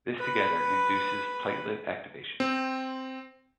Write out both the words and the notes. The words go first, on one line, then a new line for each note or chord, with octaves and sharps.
This together induces platelet activation.
B4 B5
C4